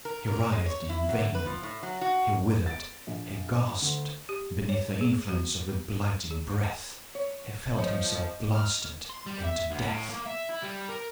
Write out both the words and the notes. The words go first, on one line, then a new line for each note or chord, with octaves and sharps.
He writhed in vain; he withered--he gasped--beneath the influence of the blighting breath--he felt himself blasted into death.
A#4
A#4
G#3
C#5
E4
F#3
D3
B4
F3
A2
F#3
F#4
A6 D7
A#1
D2
G4
C#5
G#4
F#4
G#4
C#5
F3 D#4 C#5
F6
C6
G3
E5
D2
A2
A#3
E5
E4
G3
A#4